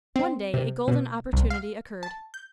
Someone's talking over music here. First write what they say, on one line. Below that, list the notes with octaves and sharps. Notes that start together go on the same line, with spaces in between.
One day a golden opportunity occurred.
C4
C3
B2
C2
F5
A5
G6